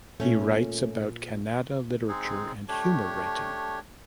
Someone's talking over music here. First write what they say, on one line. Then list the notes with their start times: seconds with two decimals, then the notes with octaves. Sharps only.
He writes about Kannada literature and humor writing.
0.20 A#2 A3 C#4
2.09 G#3 C4 D#4 G#4
2.68 A3 D4 G4 C#5